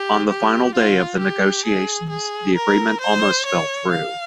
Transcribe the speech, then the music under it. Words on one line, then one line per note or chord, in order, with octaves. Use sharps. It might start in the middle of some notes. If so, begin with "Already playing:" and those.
On the final day of the negotiations, the agreement almost fell through.
Already playing: G4
G4
F4
G4
G#4
G#4
A#4
C5
C#5
F5